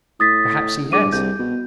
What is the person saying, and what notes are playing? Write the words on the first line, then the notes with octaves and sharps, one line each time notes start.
Perhaps he has.
A2 D#6 A6 B6
G2 G#4 D6 D#7
C2 G6
B2